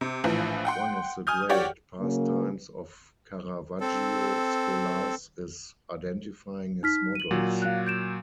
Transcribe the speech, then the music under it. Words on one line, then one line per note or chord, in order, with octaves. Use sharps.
One of the great pastimes of Caravaggio scholars is identifying his models.
C3
A#1 A2 E3 F3
F#5 G5 C6
G#5 D#6 F6 G6
F#4 G4 C#5 D5 G5
C#3 F#3 A#3
C4 A4
D#4 F6 B6
D#7 F#7
A#2 F#3
F5 F#6
G6 D7 E7